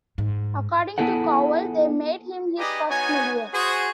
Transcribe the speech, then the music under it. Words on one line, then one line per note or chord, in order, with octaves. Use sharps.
According to Cowell, they made him his first million.
G#2
B3 E4 G#4 A4 F#5
D#4 G4 G#4 B4 D5 D#5
B3 D#4 F#4 C#5 G#5
F#4 G#4 C5